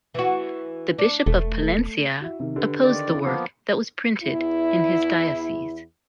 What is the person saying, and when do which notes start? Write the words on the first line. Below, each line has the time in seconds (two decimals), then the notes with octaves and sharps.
The Bishop of Palencia opposed the work that was printed in his diocese.
0.14 E3 F#4
0.98 D4
1.26 E1 A3
2.20 E4 F#4 E5
2.40 C3 D#3
2.56 D3 G4 B4
2.83 D#3 D5
3.09 C4 E4
3.24 F3 A#3 B3 B5
4.23 E2 E4